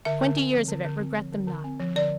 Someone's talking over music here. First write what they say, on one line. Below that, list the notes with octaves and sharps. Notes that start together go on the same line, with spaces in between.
Twenty years of it, regret them not.
D3 E5
D3
C4
F3
D3
D3
C4
F3
D3
D3
C4
F3
D3 D5